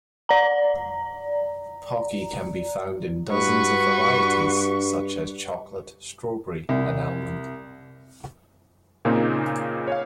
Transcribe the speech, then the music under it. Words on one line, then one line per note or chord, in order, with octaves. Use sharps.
Pocky can be found in dozens of varieties such as chocolate, strawberry, and almond.
D5 A#5
G2 F#4 B4 C#6
C2
A#2 C#3 A#3 C4 D#4
C#5 F5